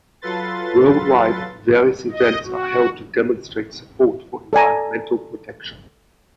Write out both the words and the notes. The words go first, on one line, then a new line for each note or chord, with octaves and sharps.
Worldwide, various events are held to demonstrate support for environmental protection.
F#3 F4 A4 B4 C6 A6
D#5
F#4
A4 D5 G#5 A#5